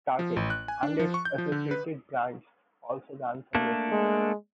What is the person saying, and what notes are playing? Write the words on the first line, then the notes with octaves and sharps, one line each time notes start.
Target, and its associated brands, also ran some races.
F3
A1
F#6
G#5
D4
F3
C#6
G6
F3
D3
B4
A3 A#3 D4
G#3